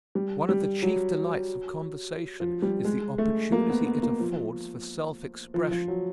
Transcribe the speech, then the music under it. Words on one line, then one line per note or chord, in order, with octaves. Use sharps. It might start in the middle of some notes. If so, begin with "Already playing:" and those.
One of the chief delights of conversation is the opportunity it affords for self-expression.
G3
G3
F#3
F3
G3
G#3
A3
A#3
B3
B3
A#3
F3
F3
F3
F#3